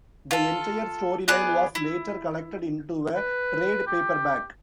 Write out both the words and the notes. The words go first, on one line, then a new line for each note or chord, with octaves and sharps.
The entire storyline was later collected into a trade paperback.
F4 A4
B3 G#4 D5 F#6
E4
B4
G4